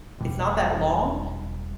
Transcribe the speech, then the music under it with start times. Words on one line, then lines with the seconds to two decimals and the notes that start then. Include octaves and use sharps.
it's not that long,
0.18 E1 B2 G3